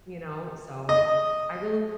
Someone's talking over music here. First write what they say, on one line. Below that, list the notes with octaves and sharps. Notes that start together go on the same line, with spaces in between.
you know, so I really
D#5